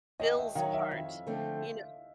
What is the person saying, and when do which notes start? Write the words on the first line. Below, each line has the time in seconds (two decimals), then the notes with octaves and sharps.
bills part, you know?
0.20 D#2 D#5
0.37 E5
0.55 D#3 F#3 F5
0.73 E5
0.91 F2
1.27 D3 F3 A3 C4